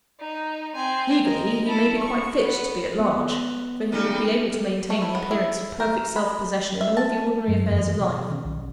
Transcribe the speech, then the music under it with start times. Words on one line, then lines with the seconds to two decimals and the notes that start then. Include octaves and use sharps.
Legally, he may be quite fit to be at large; for he will be able to maintain the appearance of perfect self-possession in all the ordinary affairs of life.
0.20 D#4
0.75 C4 G#5
1.23 A#4 D#5
1.65 E4 A4
1.98 C#6
2.42 B3
2.99 B3
3.92 C#3 G3 D#4
4.90 A3
5.02 E4
5.15 B3
5.31 E4
5.80 A#4
6.16 B5
6.81 E5
6.97 A5
7.48 G2 F#3
7.70 F#2 E3 F3
8.00 B2
8.30 D#3 C#4
8.44 B1